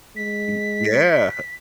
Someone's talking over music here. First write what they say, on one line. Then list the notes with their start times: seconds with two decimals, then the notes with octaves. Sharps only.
Mm, yeah.
0.16 G#3 B6